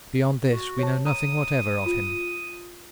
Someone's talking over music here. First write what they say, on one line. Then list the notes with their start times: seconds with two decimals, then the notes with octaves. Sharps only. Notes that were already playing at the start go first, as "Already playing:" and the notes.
Beyond this we know nothing whatever of him.
0.51 F#4
0.79 C#5 A5
1.06 A#5 D#6
1.86 F4